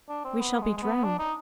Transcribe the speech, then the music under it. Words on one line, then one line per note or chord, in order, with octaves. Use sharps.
We shall be drowned!
D4
C4
B3
G#3
G#3
B3
D4
D#4